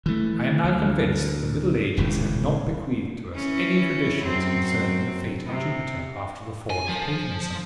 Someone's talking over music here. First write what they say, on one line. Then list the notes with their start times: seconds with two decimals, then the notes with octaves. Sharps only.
I am now convinced that the middle ages have not bequeathed to us any traditions concerning the fate of Jupiter after the fall of Paganism.
0.06 E3 A3
0.65 D2
1.97 D#1 C#2 A2
3.34 E3 C#4
4.22 F#2 C4
5.46 C3
6.70 G#5
6.89 F3